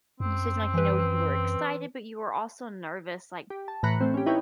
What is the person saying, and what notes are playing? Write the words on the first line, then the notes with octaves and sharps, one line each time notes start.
you said, like, you know, you were excited, but you were also nervous. Like
F#2 C4
E3 B4
G4
A5
A2 E3 A#5 B5 F#6 C#7
A3 C4
C#4 G4
D#4 E4 B4 C#5 G5